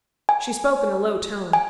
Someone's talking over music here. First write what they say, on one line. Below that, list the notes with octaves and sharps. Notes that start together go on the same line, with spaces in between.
She spoke in a low tone.
G#5
G#5